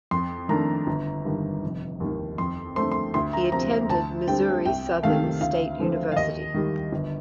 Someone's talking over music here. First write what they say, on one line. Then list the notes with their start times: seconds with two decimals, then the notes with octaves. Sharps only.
He attended Missouri Southern State University.
0.11 F2 C6
0.49 D#3 A3 D4 A#5
0.87 G1
1.25 G2 D#3
1.63 F1
2.00 D#2 D#3
2.38 F2 C6
2.76 D3 A3 C4 C6
2.92 C6
3.14 D2 C6
3.33 A#5
3.52 C3 F3 C4 A#5
3.89 D2 A5
4.27 D3 G3 C4 G5
4.65 C2 G5
5.03 C3 D#3 A3 F5
5.41 D2 F5
5.79 D3 F3 C4
6.12 F5
6.16 D#2 D#5
6.54 D#3 G3
6.92 G1